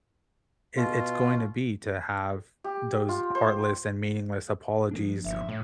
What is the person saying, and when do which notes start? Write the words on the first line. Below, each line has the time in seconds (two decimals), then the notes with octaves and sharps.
it it's going to be to have those heartless and meaningless apologies
0.77 B2 F4
2.64 G4
3.09 F4
3.35 C5
4.91 F3 A#3 D4
5.24 G1 E5
5.48 A2